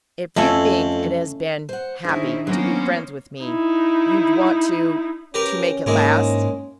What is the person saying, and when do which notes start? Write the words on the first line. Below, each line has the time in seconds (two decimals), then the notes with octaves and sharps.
"If you think it has been--happy--to be friends with me--you'd want to--to make it last."
0.37 F2 A3 C#4 E4
1.69 C5 F#5
2.04 D#3 C#4 D4 E4 G#4 C5
2.47 F#3 A#3 B3 C#4 C5 C#5
3.43 D#4 E4
5.34 C#4 G4 A#4 B4
5.86 G#2 G#3 A#3 E4